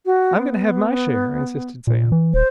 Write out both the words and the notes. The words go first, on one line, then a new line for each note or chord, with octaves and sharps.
"I'm going to have my share!" insisted Sam.
F#4
B3
A#2
E3
D#1 C5